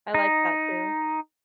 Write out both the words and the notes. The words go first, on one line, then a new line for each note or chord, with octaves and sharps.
I like that, too.
D#4